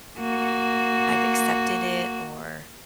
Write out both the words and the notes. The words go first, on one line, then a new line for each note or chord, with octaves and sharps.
I've accepted it, or,
A#3 F#4